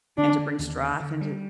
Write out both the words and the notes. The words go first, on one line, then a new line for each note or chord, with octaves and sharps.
and to bring strife into
D3 D4
D3
D#2
D3
D3
G3